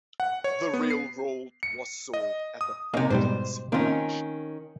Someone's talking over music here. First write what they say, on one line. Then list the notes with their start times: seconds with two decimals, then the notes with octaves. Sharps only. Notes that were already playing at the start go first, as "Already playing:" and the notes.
The railroad was sold at a bankruptcy auction.
0.20 F#5
0.44 C#5
0.74 B3
0.90 C7
1.63 C#7
2.14 D#5
2.61 D#6
2.94 C3 A#3 C#4 D#4
3.10 G#2 B2 G3 C5
3.72 D#3 A#3 C4 C#4 F4